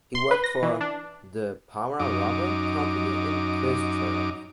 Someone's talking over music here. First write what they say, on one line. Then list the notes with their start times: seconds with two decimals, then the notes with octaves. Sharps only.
He worked for the Para Rubber Company in Christchurch.
0.15 C6
0.31 B4
0.44 A#6
0.62 E3
0.81 D4
2.00 F#2 D#4 D6